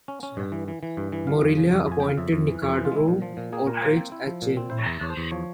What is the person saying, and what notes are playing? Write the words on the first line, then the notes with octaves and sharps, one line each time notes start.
Morelia appointed Nicandro Ortiz as chairman.
C#4
C#4
G2
E3
E3
E3
G2
E3
G3 F5
F2
C#3
F2
F2 G#5
C#3 G5
F5
F2 E5
F2
E3
F2 C#5
E3 C5
F4
G#3 E4
A#2
F3
A#2
A#3 G#4
A#2 A#4
A#3 C5
C4
E4
F3
A#2
C4
E4 C5
C#5
E2 E5
E2 C#5
C5
E2
F3 C#5